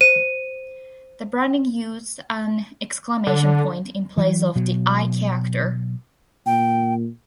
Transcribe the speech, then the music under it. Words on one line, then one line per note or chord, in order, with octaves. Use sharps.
The branding used an exclamation point in place of the "I" character.
C5 D#7
D3
E3 F#3
B2 F#3
A#2 G5